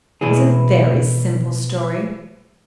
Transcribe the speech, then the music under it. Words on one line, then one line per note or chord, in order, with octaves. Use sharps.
It was a very simple story.
B2 E3 E4 G#4